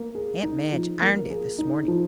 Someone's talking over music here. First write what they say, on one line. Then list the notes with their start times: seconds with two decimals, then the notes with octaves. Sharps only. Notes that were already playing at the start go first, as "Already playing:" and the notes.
"Aunt Madge ironed it this morning."
Already playing: A#3
0.15 G#4
0.43 D#4
0.72 F3
1.02 A#3
1.30 G#4
1.58 D#4
1.88 F3